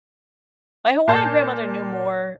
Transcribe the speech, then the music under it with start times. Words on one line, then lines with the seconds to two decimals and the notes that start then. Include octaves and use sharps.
My Hawaiian grandmother knew more
1.08 A#2 G#5 A5 G6 C7